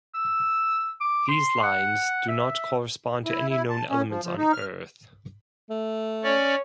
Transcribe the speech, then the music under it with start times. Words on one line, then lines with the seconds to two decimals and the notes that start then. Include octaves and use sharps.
These lines did not correspond to any known elements on Earth.
0.15 E6
1.01 D6
1.29 C6
1.63 F#5
2.29 E5
3.26 E4
3.50 E4
3.70 A5
3.90 C#4
4.09 F3
4.24 F3
4.38 D#4
4.53 F6
5.70 A3
6.23 C#4 C#5 D5